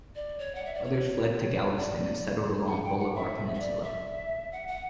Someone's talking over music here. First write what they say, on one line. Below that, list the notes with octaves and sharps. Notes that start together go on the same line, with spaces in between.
Others fled to Galveston and settled along Bolivar Peninsula.
D5
C#5
F#5
E5
D5
C#5
D5
F#5
G5
F#5
E5
E5
D5
E5
F#5
F#5